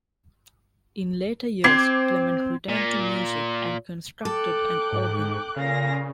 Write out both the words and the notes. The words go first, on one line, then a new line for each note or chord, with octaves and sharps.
In later years, Clement returned to music and constructed an organ.
C4 D6 G#6 C7
A#2
A4 G5 D6 F#6
G#2
A#2 C#3 F5 A#6